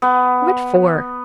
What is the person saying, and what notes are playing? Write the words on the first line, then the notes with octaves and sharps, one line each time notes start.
"What for?"
B3